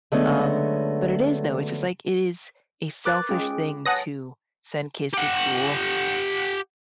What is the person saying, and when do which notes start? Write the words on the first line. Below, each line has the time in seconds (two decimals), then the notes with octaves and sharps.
um but it is, though, it's just, like, it is a selfish thing to send kids to school,
0.12 D3 F#3 G#3 A3 B3 C#4
3.05 A#4 B4 A#5 D6 F#6 A6
3.29 G#3 C#4 F4 G#4 G5
3.86 B4 C#5 F#5 G#5 A5 D#6 A6 A#6
5.14 G4 F#5